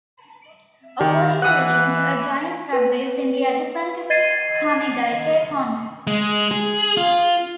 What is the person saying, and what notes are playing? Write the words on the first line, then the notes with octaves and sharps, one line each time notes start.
According to legend, a giant crab lives in the adjacent Kamegaike Pond.
D#3 G4
E3 F#5 D#6 F#6
B4
D#5 G#6 A6 C7 D#7
G#3
G#4
F4